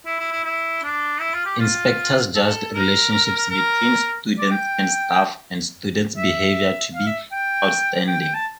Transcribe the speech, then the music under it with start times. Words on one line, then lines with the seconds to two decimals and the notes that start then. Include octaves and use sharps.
Inspectors judged relationships between students and staff and student behaviour to be "outstanding".
0.06 E4
0.19 E4
0.32 E4
0.44 E4
0.83 D4
1.20 E4
1.34 F4
1.46 G4
1.59 F4
2.35 A4
2.74 A#4
3.11 A#4
3.25 A#4
3.36 A#4
3.50 A#4
4.38 D5
4.51 G5
6.17 E5
6.94 F5
7.06 E5
7.32 G5
8.08 G5
8.21 G5
8.34 A5